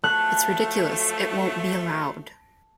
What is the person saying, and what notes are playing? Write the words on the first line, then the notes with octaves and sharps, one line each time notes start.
It's ridiculous; it won't be allowed.
F3 F#3 A3 A5 F#6